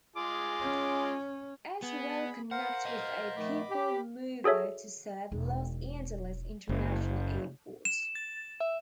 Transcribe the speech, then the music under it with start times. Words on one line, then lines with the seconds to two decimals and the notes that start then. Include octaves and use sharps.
It will connect with a people mover to serve Los Angeles International Airport.
0.16 G#3 F4 G#4 D6
0.61 C#4
1.82 B3 G#4 B5
2.51 A#4 C5 F5 F#5
2.85 D#5 F#5
3.37 D#3 F3 A3 B5 D6
3.71 G4
4.44 F#4 G#4 A4 C#5 E5
5.32 E1 D#4
6.69 F#1
7.85 E7
8.15 A6
8.60 E5